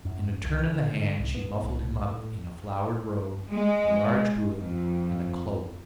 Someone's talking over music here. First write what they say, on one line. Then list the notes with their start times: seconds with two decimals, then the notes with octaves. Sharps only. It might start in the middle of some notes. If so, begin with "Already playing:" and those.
In a turn of the hand she muffled him up in a flowered robe, a large hood, and a cloak.
0.05 F#2
0.44 C2
0.66 D3
1.19 C2
1.35 B3
1.63 C2
2.11 A2
3.50 G#3
4.56 F2